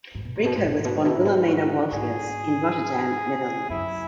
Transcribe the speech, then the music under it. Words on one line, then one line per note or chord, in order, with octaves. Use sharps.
Brico was born Wilhelmina Wolthius in Rotterdam, Netherlands.
G#2
B2
G#2
B2
G#2
B2
G#2
B2
G#2
B2 E4
G#2
B2
G#2
F#4
G#2 G#4
F#2 E4